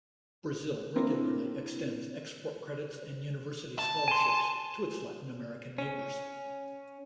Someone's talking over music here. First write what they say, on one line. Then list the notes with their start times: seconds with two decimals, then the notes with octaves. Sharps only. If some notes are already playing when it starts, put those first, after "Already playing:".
Brazil regularly extends export credits and university scholarships to its Latin American neighbors.
0.96 A#3 C4 D4 E4 A#4
3.79 A5
4.08 G#5 C6
5.78 C#4